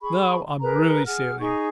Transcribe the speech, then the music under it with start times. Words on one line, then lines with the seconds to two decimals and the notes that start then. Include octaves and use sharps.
Now I'm really sailing.
0.01 G#4 B5 C#6
0.61 G#4 A#4 B4 A#5
1.05 G#4 F#5 F6
1.40 D#4 G#4 C#6